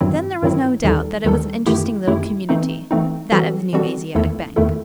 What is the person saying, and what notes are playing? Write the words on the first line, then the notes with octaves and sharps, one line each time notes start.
Then there was no doubt that it was an interesting little community, that of the New Asiatic Bank.
G2 D#3 F#3 C4 E4
G2 D#3 F#3 C4 E4
D#2 D#3 G3 D#4 A4
D#2 D#3 G3 D#4 A4
F#2 D#3 A3 E4 G4
F#2 D#3 A3 E4 G4
E3 A3 C4 D#4
E3 A3 C4 D#4
E3 G3 C4 F#4 A4
E3 G3 C4 F#4 A4
E2 D#3 A3 E4 A4
E2 D#3 A3 E4 A4